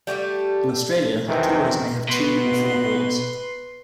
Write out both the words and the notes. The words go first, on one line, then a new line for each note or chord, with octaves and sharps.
In Australia tourers may have two or four doors.
G3 A3 F#4 G4
F2 C3 D#3 E3
B2 B4 C6